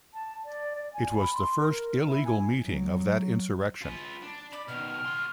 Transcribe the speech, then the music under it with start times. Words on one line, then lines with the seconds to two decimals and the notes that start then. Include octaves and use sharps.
It was the first illegal meeting of that insurrection.
0.14 A5
0.45 D5
0.76 D5
0.93 G#5
1.16 B5
1.34 C6
1.58 A#4
2.04 E4
2.24 G#5
2.62 F#3
3.82 F4 B4
4.22 D4
4.53 D5 B5
4.68 B2 D#3 F6
5.05 F#4 C6